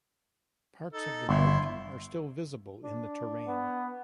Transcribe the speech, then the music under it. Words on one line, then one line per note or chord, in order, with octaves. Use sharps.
Parts of the moat are still visible in the terrain.
D#4 A4
G1 E4 C6
D4
B3